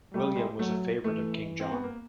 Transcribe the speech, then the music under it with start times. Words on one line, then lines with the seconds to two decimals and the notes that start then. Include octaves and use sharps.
William was a favourite of King John.
0.13 G3 A3
0.36 G#3
0.59 F#3 A3
1.04 E3 A3
1.60 C4
1.71 B3
1.83 A#3